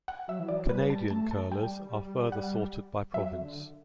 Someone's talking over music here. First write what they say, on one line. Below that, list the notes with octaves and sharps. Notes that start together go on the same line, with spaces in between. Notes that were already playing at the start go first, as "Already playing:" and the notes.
Canadian curlers are further sorted by province.
F#5
F#3 E5
E3
F#3 D5
G3 B4
A5
A3 A5
A5
G3 G5
F#5
F#3 E5
D3